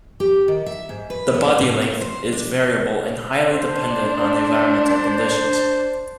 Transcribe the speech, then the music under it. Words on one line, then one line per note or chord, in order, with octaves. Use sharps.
The body length is variable and highly dependent on environmental conditions.
G4
D#3
E5
G#2
B4
B3
A2
A#2
C5
D4
D4 C5